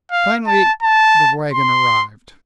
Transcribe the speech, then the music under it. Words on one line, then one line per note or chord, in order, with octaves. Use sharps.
Finally the wagon arrived.
F5
A5
A5
C6